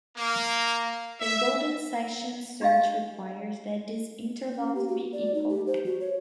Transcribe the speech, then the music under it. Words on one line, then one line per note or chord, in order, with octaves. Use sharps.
The golden-section search requires that these intervals be equal.
A#3
E5
D4 G4 D#5 F5 G#5
C#4
G4
F#4
D5
D#4
G4
C5
F#4
C#5